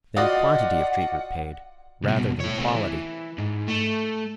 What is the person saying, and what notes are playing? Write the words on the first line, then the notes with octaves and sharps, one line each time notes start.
Then quantity of treatment paid, rather than quality.
F4 F#4 D5 D#5 F#5
C2 B2
A2 C#5
A3 C4
E3
G#2
A3